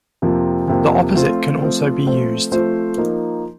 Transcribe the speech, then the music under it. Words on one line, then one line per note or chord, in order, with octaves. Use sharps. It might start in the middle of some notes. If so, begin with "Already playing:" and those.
The opposite can also be used.
F2 C3 F3 A#3
F2 C3 F3 A#3
F3 A3 C4 F4 C5
F3 A3 C4 F4 C5
F3 A3 C4 F4 C5
F3 A3 C4 F4 C5
F3 A#3 D#4